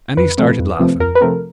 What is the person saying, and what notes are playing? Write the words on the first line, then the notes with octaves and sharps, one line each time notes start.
And he started laughing.
F2 B4
C3 F3 A3 C4
F2
C3 F3 A3 C4
F2 A#4
B4
C3 F3 A3 C4 A#4